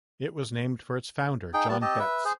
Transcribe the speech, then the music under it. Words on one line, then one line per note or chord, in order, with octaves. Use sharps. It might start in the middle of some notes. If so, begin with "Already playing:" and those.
It was named for its founder, John Betts.
D#4 G#4 G5
G3 B3 A5
C4 G4 D#5 A5
B4 E5
G#4 C5